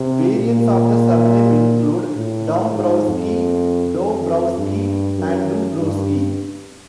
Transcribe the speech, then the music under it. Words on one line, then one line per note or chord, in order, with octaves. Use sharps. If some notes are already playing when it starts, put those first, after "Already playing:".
Variants of the surname include Dombrowski, Dobrowski, and Dobrosky.
Already playing: C3
A#2
A2
G#2
F2
F2
G2
F#2
G2